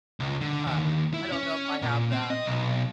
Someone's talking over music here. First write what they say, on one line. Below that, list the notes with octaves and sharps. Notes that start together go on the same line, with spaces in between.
uh, I don't know if I have that
C#2
D3
D#2
E4
C#4
A#2
C4
D#5
B1